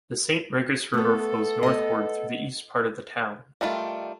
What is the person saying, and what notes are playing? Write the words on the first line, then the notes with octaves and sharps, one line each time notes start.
The Saint Regis River flows northward through the east part of the town.
A3 B3 A4
B3 D#5
D#3 G3 A3 F4